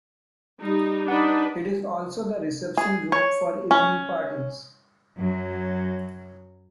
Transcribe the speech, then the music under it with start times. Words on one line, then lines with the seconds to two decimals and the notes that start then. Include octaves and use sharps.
It is also the Reception-room for evening parties.
0.61 G3 D#4
1.08 D4 D#4 B4 F#5
2.77 G#4
3.12 C#5
3.71 C#4
5.18 F#2 F#3